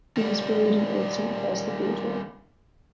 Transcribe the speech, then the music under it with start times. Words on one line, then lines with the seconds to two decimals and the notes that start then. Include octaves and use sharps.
He was buried in Old Saint Paul's Cathedral.
0.17 D#3 G3